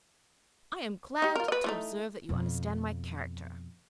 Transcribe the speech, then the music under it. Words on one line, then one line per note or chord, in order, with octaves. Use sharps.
'I am glad to observe that you understand my character.
D#4 G4
F4 A#4
B4 D#5
E3 A3 D#4
F2 B2